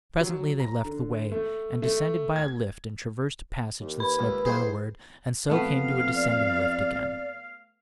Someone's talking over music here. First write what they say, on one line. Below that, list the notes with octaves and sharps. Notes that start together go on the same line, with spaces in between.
Presently they left the way and descended by a lift and traversed a passage that sloped downward, and so came to a descending lift again.
F#3
A#5
D3
A3
A3
G#6
D#2
B4 B5
C#2
A2 G#4 C5 G#5
F2 A3 B3 F5
D5